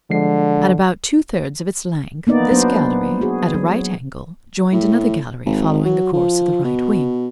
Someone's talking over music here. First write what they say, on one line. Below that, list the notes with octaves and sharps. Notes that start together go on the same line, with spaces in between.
At about two-thirds of its length this gallery, at a right angle, joined another gallery following the course of the right wing.
D3 F3 G#3 C7
A#3 B3 D#4 D5
F#3 B3 D4 C5
F#4 G#4
F#3
A2
G#1
F#3
F3
B2